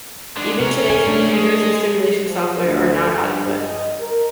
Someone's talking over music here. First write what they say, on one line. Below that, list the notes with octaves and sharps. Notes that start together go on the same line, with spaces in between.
Even today's computers and simulation software are not adequate.
G#3 D4
C3 C#4 A#4
G#5
A3 D4
G#3
F3
D2
G2
D#5
A#4